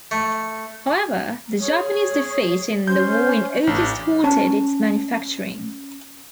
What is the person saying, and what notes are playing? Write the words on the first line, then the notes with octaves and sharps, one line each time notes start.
However, the Japanese defeat in the war in August halted its manufacturing.
A3
G#4 C#5
C#4 C5 G6
A1 D4
C#4 A5